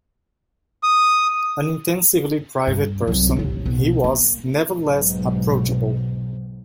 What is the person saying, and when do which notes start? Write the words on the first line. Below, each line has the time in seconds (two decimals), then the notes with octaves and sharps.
An intensely private person, he was nevertheless approachable.
0.83 D#6
2.67 G2
3.07 C2 F#3
3.36 A1 D#2
3.66 B1
4.04 A#3
4.78 B1 G#2